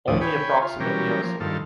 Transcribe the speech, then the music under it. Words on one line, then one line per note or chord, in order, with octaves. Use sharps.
Only approximately are sold.
D2 A2 E3 F3 D5 D#6
C#5 G5 G#5 B5
F4
E3 F#3 G3 C#4 G4 A#4
F3 A#3
G2 D#3 F4 A4